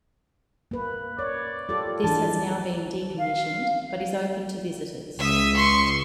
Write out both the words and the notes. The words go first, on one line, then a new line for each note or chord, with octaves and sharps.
This has now been decommissioned, but is open to visitors.
A#3 B4
C#5 D5
F4 G4 A4
E3 D4 A5
F5
C#2 E5 D#6
C6 C#6